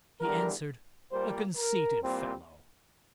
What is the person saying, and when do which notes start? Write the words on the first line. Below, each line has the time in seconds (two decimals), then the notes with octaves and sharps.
He answered, 'A conceited fellow.
0.21 E2 D3 G3 A#4
1.11 A#2 G3 A#3 C5
1.56 A#4
2.02 C2 A#2 G3 C4